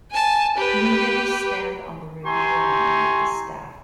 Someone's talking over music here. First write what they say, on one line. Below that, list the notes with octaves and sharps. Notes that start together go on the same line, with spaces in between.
Leaders stand on the review line with the staff.
G#5 A5
G4 B4
E4 G4 G#5 A#5 C6 C#6